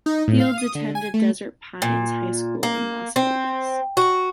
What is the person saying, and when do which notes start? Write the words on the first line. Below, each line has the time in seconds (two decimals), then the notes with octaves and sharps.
Fields attended Desert Pines High School in Las Vegas.
0.06 D#4
0.28 A2
0.40 F5
0.58 D#6
0.75 D3
0.95 G#5
1.14 A3
1.82 A#2
2.63 A#3
3.16 C4
3.97 F#4